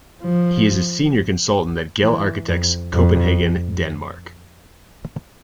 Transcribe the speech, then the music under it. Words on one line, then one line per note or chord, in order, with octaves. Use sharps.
He is Senior Consultant at Gehl Architects, Copenhagen, Denmark.
F3
E3
F2
F2